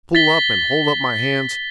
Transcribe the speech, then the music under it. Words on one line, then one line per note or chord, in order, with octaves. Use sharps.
Pull up and hold up my hands?
A6 B6 G7